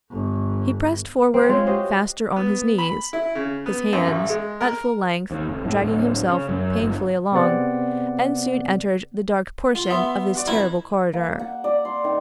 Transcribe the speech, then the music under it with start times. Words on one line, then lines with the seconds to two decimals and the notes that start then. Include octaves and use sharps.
He pressed forward faster on his knees, his hands, at full length, dragging himself painfully along, and soon entered the dark portion of this terrible corridor.
0.12 G1
1.34 C4 C5
1.49 G#3 F4 C5 C#5
1.67 F#4 G4 C5 D#5
2.36 B3
2.78 B5
3.13 E4
3.35 C#3
3.66 B3
3.93 F#2
4.07 A1
4.30 G#3
4.61 A#4
5.31 D#2
5.49 F1
5.65 A2
5.82 D1
6.28 C#3
6.49 F#2
6.80 G1
7.32 C3 B3 C4 G#4 D5 F#5
9.75 F4
9.90 B3 E5 C6
10.35 F#4 D5
10.47 F2 E4 B4 A#5
11.13 A#3
11.39 F#5
11.64 D5
11.85 C6
12.04 D#3